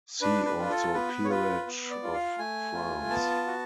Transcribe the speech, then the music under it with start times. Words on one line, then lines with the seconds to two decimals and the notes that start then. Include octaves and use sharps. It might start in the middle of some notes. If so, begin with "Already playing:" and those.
See also Peerage of France.
0.21 D4 B4
0.46 B4
0.58 F4
0.70 A4
0.94 B3 B4
1.25 C#5
1.29 F4 B4
1.67 B3
1.91 D5
2.03 F4
2.14 F5
2.38 A3 G#5
2.74 F4
3.10 B3 A5
3.47 F#4